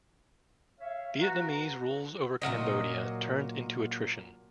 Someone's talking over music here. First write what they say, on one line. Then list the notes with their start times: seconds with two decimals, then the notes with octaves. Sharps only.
Vietnamese rules over Cambodia turned into attrition.
0.80 C#5 E5 F5
1.21 F#4 B4 A#5
2.42 A#2 F3 F#3 D#5